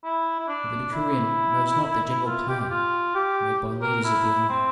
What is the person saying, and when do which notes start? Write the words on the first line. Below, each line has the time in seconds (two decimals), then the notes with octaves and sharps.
But the decurion knows not the general plan made by leaders of the army.
0.04 E4
0.39 E4
0.48 D4
0.93 E4
2.26 F4
2.48 G4
2.60 G4
2.70 F4
3.15 G4
3.82 A#4
4.04 E4
4.49 C4